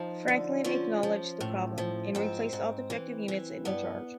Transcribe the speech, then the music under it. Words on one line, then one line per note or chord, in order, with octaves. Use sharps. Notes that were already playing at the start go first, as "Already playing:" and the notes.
Franklin acknowledged the problem, and replaced all defective units at no charge.
Already playing: F3 D#4
D3
F3 C#4
F3
A2
F3
G#2 C4
G#2
E3
E3
G2 B3